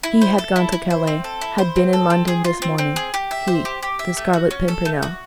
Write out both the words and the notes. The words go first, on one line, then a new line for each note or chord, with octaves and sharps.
He had gone to Calais, had been in London this morning . . . he . . . the Scarlet Pimpernel . . .
E4
C5
A4
E4
E4
C5
C4
A4
E4
C5
C4
A4
C4
G#4
F4
C4
C4
G#4
G4
E5
C5
G4
G4
E5
A3
F#4
C#4
A4
A3
F#4